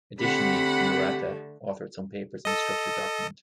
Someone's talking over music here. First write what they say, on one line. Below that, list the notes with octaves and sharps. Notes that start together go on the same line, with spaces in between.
Additionally, Murata authored some papers on structured document.
D3 A3 C4 G4 F#5 B5
A4 D#5